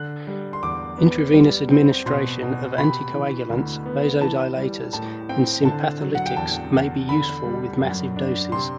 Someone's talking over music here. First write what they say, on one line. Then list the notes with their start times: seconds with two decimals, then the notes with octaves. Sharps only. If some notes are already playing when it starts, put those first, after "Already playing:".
Intravenous administration of anticoagulants, vasodilators, and sympatholytics may be useful with massive doses.
Already playing: D3 F#6
0.27 G3
0.53 C6
0.63 E2 D6
0.98 B3
1.34 G3
1.70 C4
2.06 B2 C6
2.42 B2
2.78 C3 B5
3.14 E3
3.50 D2
3.86 B3
4.21 E3 A5
4.57 G3
4.93 A2 A5
5.29 C4 G5
5.65 D3 A5
6.01 F#3
6.15 F#5
6.26 G5
6.37 E2 A5
6.73 E2
7.08 D3 B5
7.45 G3
7.81 F#2
8.16 D4
8.52 C3 C6